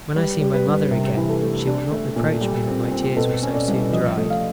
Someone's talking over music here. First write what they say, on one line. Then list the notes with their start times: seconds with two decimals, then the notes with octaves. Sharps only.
When I see my mother again, she will not reproach me that my tears were so soon dried.
0.15 G3 B4
0.41 G3
0.53 B4
0.66 G2
0.91 C3 A#4
1.17 E3
1.29 A4
1.42 A3
1.67 D4
1.92 A3
2.16 A#2
2.41 G3
2.68 C4
2.91 C4
3.17 B2 A4
3.43 C#4
3.54 D5
3.68 C2
3.92 F3 D#5
4.18 A3
4.30 F5